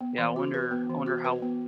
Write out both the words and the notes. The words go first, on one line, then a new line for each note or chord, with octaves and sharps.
Yeah, I wonder I wonder how
B3
E3
F#4
B4
B3
E3
F#4
B4
B3